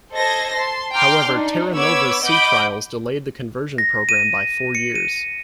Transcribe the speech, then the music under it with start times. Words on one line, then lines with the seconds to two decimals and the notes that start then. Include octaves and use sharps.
However "Terra Nova"s sea trials delayed the conversion program by four years.
0.13 A4 C5 D#5 G#6 A#6
0.54 A5 C6
0.95 G5 A#5 C6 D6 F6 G6
1.30 D4 D#4
1.76 B3 C#5 B5 D6 E6 G#6
2.26 D#5 F#5 B5 D6 G6 D7
3.78 A#6
4.09 D#7
4.75 C#7
4.95 D#7